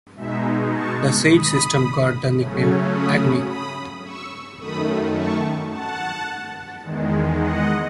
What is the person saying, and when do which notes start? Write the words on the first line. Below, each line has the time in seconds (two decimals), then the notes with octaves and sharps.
The Sage system got the nickname "Agony".
0.16 B2 G#3 D#4 E5
0.71 A5 C#6
1.27 B5 D#6
2.38 C#3 F#3 A3 C#4
2.93 B5 D#6
3.48 B5 D#6
4.04 C#6 E6
4.59 F#2 D#3 A3 B5 D#6
5.15 A5 C#6
5.71 F#5 A5
6.82 E2 D#3 G#3
7.37 D#5 F#5